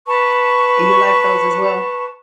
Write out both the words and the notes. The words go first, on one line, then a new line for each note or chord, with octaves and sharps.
You like those as well?
B4 A5 C#6